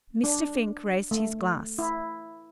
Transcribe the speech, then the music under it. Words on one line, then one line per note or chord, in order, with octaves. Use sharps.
Mr. Fink raised his glass.
D4
A3
E4